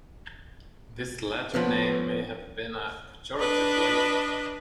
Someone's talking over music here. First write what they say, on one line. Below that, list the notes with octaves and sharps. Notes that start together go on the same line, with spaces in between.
This latter name may have been a pejorative label.
F3 B3 C#4 B4
D4 B4 D#5